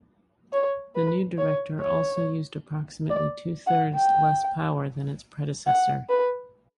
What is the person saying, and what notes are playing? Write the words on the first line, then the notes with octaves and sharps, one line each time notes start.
The new director also used approximately two thirds less power than its predecessor.
C#5
B4
C#5
C#5
D5
F#5
G5
F#5
B4